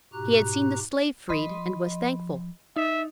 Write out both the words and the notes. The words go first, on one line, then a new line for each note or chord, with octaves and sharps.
She had seen the slave freed, and was thankful.
G#2 B2 F#4 G4 A#5 F#6
F3 D#5 B5 C6
D#4 E5